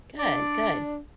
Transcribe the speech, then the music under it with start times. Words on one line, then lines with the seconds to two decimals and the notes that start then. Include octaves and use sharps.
Good, good.
0.19 D4 D5